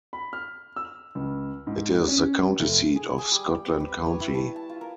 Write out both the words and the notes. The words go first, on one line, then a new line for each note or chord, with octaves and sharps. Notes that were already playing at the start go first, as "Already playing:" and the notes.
It is the county seat of Scotland County.
B5
F6
E6
C#2
G#2
C#4
F1
G#4
G#4
G3
G5
C4
B4
C#5
E4
A5
A5
F4
A#4